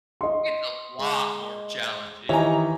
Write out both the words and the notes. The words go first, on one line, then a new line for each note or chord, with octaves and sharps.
It's a lot more challenging.
D#5 C6
G#3
D#3 E3 E4 G4 C#5 D#5 G#5 A#5